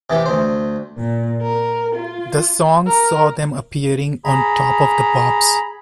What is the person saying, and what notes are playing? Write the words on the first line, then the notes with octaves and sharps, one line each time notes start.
The songs saw them appearing on "Top of the Pops".
C3 E3 G4
D2 C5
A#2
A#4
F4
A#4
G#4 A#5 B5